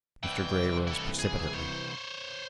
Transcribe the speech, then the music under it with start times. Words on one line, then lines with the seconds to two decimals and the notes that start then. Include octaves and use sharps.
Mr. Grey rose precipitately.
0.23 C2 E3 G5
0.87 E4 A4
1.19 G#4
1.53 C5 C#5